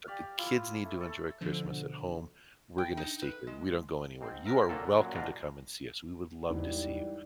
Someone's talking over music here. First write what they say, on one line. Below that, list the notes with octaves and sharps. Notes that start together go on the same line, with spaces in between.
but the kids need to enjoy Christmas at home. We're gonna stay here, we don't go anywhere, you are welcome to come and see us, we would love to see you,
G4 D5 F5
A#3 E4 F4
A3
A4
B2 D3 F3
G5
D#4
B4
G#3
G#2 C4
B3 A#4 E5
C2 A#2 F#3 A#3 F4 A4
D3
F#2 A#2 F#3
E2 B2 D4 F4 A#5
E2 G#2 E3 G3